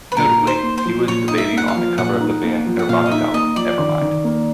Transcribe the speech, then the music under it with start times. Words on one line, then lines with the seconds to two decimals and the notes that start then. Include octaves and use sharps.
Notably, he was the baby on the cover of the band Nirvana's album "Nevermind".
0.12 B4
0.17 A#2 A#4
0.39 D#4
0.47 C5
0.63 A#3
0.78 C5
0.85 F3
1.08 A#2 C#5
1.28 D#4 D#5
1.38 E5
1.53 A#3 F#5
1.68 F5
1.75 F3
1.98 A#2 F#5
2.20 D#4
2.44 A#3
2.66 F3
2.79 F#5
2.89 A#2 F5
3.06 D#5
3.12 D#4 E5
3.34 A#3 D#5
3.56 F3 D5
3.79 D#3
4.02 D#3
4.24 A#3